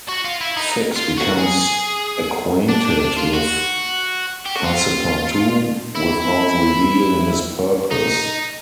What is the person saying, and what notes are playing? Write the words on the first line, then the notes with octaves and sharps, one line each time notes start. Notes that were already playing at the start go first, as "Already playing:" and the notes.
Fix becomes acquainted with Passepartout without revealing his purpose.
F#4
F4
E4
D#4
F4
F#4
G#4
D4
D4
D4
F4
F#4
G4
F#4
F4
E4
D#4